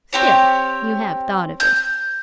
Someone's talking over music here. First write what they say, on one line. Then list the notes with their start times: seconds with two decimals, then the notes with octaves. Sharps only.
"Still, you have thought of it?"
0.13 C4 G4 C#5
1.60 G6